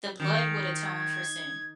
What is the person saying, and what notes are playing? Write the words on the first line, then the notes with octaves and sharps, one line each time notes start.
the blood would atone for sin,
D#3
G#6